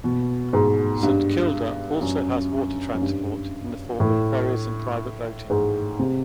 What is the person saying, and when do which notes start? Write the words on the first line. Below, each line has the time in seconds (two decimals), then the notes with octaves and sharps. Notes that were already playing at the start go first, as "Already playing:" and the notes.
Saint Kilda also has water transport in the form of ferries and private boating.
0.04 B2
0.53 G#2
1.03 G2
2.01 F#2
2.94 F#2
3.01 G2
4.00 A2
5.50 G#2
5.99 C3